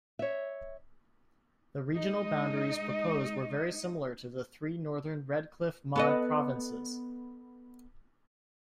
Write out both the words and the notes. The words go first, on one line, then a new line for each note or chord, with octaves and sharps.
The regional boundaries proposed were very similar to the three northern Redcliffe-Maud provinces.
C#5 E5
G#3 D#4 D#5
B3 A4 D#5